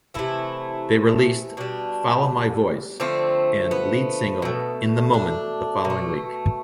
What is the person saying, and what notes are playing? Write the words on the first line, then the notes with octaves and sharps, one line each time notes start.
They released "Follow My Voice" and lead single "In the Moment" the following week.
C3 E3 A3 E4
B2 G3 D4
D3 F3 A3 C4
B3
B2 A3
D4
B2
A3